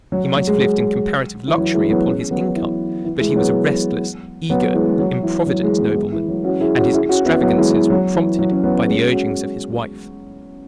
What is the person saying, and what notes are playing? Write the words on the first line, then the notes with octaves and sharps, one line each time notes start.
He might have lived in comparative luxury upon his income; but he was a restless, eager, improvident nobleman, and his extravagances were prompted by the urgings of his wife.
F#3
F#3
G#3
F#3
E3
F#3
E3 G#3
F#3 B3
G#3 C#4
F#3 B3
E3
E3
E3 G#3
G#3
F#3 B3
F#3 B3
E3 G#3
G#3
F#3
E3
F#3
E3 G#3
F#3 B3
F#3
E3 G#3
E3
F#3
C#4 F#4
E4 G#4
C#4 F#4
E4 G#4
C#4 F#4
B3 E4
F#3 B3
E3 G#3
E3
F#3
E3
F#3
C#4
F#3 B3
G#3 C#4
C#4 F#4